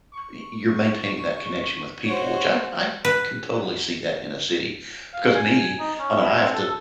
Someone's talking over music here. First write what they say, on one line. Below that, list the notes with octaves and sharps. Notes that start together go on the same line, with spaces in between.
y you're maintaining that connection with people, which I c I can totally see that in a city, because me, I mean, I have to
C#6
F#4 C5 C#5
B4
F5
G#5
D#4
C#4
E4
C4
A4